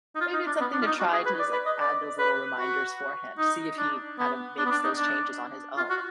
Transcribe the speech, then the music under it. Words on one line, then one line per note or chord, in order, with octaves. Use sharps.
maybe it's something to try to just add those little reminders for him to see if he kind of makes those changes on his own.
D#4
F4
D#4
D4
B3
D4
F4
D#4
F#4
G#4
B4
D5
B4
D#5
D5
B4
F#4
D#4
D4
B3
D4
B3
D4
D#4
D4
F4
F#4